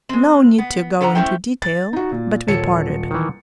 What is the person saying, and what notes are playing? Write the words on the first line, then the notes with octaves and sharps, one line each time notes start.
No need to go into detail, but we parted.
G#3 C4
B3
D3 A4 B4 F#5 A#5
A3 C#4 E4 A4 C5 G5
A6
D#4 F#4
A#2
D#1 A4 C#5 A5 C#7
D#3 E3